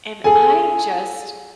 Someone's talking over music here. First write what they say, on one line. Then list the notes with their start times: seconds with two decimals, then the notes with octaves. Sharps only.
and I just
0.24 G#4 A4 G#5